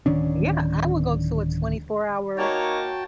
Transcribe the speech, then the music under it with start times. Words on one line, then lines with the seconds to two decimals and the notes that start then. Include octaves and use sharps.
Yeah, I will go to a twenty-four-hour,
0.06 D1 D#3 C#4 D4
2.38 A#3 D#4 F#4 C#5 G5 A5